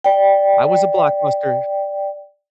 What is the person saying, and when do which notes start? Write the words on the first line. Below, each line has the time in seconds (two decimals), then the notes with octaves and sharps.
I was a Blockbuster
0.04 D5 G5